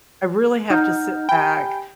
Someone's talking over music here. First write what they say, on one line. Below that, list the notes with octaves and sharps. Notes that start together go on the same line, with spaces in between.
I really have to sit back,
D#4 F#5 F6 G6
G4 G5 G#5 B5